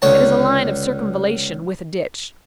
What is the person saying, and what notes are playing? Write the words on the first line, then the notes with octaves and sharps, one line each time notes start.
It is a line of circumvallation with a ditch.
C#2 D3 C#5 A5